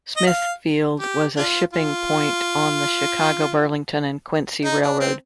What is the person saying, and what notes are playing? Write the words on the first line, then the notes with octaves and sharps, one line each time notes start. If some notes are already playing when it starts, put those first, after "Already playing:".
Smithfield was a shipping point on the Chicago, Burlington and Quincy Railroad.
D#5
F5
G4
D4 F4
F4
D#4
D4
C4